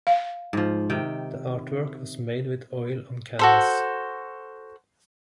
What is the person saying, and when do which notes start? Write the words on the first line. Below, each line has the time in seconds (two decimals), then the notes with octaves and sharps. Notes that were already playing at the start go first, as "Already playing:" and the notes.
The artwork was made with oil on canvas.
0.07 F5
0.53 G#2 F3
0.90 C3 D#3 G5
3.39 F#4 A4 C5